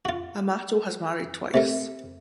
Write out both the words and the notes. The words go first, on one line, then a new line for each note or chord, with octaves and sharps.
Amato has married twice.
F4 F#4
C3 A3 A#4